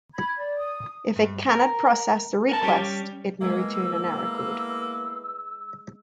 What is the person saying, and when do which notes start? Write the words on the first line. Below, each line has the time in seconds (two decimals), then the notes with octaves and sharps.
If it cannot process the request, it may return an error code.
0.13 B5 G#6
0.35 D5
0.56 D#6
1.16 G2
1.49 A#4
2.49 A#4 F#5 A5
2.63 G3 C#4 G4 C#5
3.41 A2 G#3 A#3 B3 B4 G#5 E6